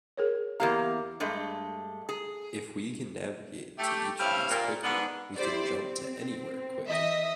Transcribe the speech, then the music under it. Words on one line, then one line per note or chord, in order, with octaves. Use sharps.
If we can navigate to each of these quickly, we can jump to anywhere quickly.
G#4 A#4 C#5
E2 A#3 G4 F5 A#5
G2 G#3 A3
G#4
A3 G4
G2 G3 C4 C#4 E4 F5
A#2
G#2 B3 D4
E4 G4 C5 D5
C4
E3 D#5 E5